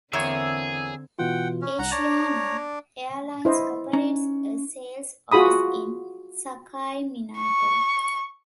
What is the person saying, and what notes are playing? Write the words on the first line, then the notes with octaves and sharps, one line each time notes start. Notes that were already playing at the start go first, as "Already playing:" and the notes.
Asiana Airlines operates a sales office in Sakaiminato.
E2 D3 A#3 C4 G#4 C#5 E6 G#6
B2 E3 F4 F#5 G5
C#4
C2 F#5 A#5
D4 C#5 A#5 A6
E4 C5 D#5
C#4 D#4 A#5
F4 F#4 G#4 B5 D#6
C#6